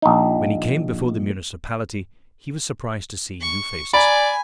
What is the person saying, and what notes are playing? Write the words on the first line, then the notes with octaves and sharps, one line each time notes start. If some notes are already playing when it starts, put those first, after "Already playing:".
When he came before the municipality he was surprised to see new faces.
A#1 D#4
C#6
D5 G#5 A#5 B5